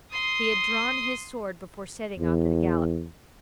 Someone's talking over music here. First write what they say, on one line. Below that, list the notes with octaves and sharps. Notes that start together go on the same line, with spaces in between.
He had drawn his sword before setting off at a gallop.
C6 D#6
E2